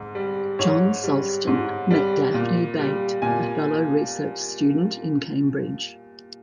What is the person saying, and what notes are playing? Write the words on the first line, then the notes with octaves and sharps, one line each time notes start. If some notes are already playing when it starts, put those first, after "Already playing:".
John Sulston met Daphne Bate, a fellow research student in Cambridge.
Already playing: G#2
G3
G#2 C#5
G3
G#2
G3
A#2
G3
A#2 G#5